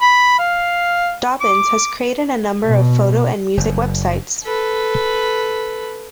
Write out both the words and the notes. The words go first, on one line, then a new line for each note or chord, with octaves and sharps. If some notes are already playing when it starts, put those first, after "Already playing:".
Dobbins has created a number of photo and music web sites.
B5
F5
D6
B2
F#1
A4 B4